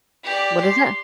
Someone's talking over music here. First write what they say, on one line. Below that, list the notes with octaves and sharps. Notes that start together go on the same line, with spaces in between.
What is it?
G4 D5
C6